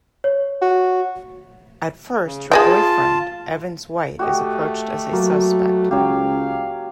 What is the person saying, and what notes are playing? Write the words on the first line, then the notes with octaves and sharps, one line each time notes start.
At first, her boyfriend, Evans White is approached as a suspect.
C#5
F#4
C#3
F4 G#4 D#5 G5 A5
A3 F#4 G4 D#5
F#3 A#3
C#2 F#3 G4 F5